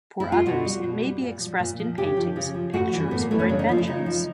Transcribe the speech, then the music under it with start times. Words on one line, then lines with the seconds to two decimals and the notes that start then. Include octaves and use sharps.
For others, it may be expressed in paintings, pictures, or inventions.
0.20 E4
0.32 F4
0.46 B2 F#4
0.65 G3
0.84 B2
1.02 G3
1.22 A#2
1.40 F3
1.59 A#2
1.79 F3
1.98 C#3 G4
2.17 F3
2.36 C#3
2.54 F3
2.73 A2 F#4
2.93 E3 G3
3.11 A2 B3
3.21 A#3
3.31 E3 G3 A3
3.40 C#4
3.49 C#3 D4
3.59 D#4
3.69 F3 F4
3.78 E4
3.87 C#3 D#4
4.06 F3